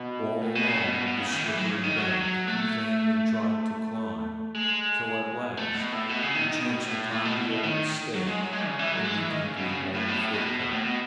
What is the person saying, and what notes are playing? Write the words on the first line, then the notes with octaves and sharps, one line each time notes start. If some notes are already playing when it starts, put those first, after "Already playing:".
All along the slippery bank he vainly tried to climb, till at last he chanced upon the old stake and the deeply worn footpath.
Already playing: B2
A2
B2
C#3
B2
B2
B2
C#3
D#3
E3
F#3
C#3
D#3
F#3
F#3
A3
G#3
A3
B2
A2
B2
C#3
D#3
D#3
B2
A2
A2
B2
B2
B2
D#3
F#3
G#3
F#3
G#3
C#3
E3
F#3
G#3
E3
D#3
C#3
B2
C#3
A2
A2
B2
A2
B2
B2
B2
A2
B2